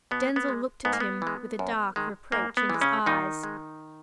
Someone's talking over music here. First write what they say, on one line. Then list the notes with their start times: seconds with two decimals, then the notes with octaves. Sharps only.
Denzil looked at him with a dark reproach in his eyes.
0.11 B2 B3
0.36 B3
0.49 G#3
0.85 G#2 B3
0.93 A#3
1.00 B3
1.22 E3 G#3
1.59 F#2
1.96 D#3 G#3
2.32 G#2 A#3
2.57 B3
2.70 E3 G#3
2.81 C#3 C#4
3.06 A#2 D#3 D#4
3.44 G#3